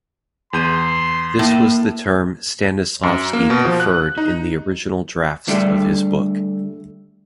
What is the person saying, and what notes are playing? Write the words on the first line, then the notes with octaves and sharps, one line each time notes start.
This was the term Stanislavsky preferred in the original drafts of his books.
E2 C6 G6 D#7
A2 A#3
F#2
A#3
B2
F3
F#6
D#4
D3 G3 A3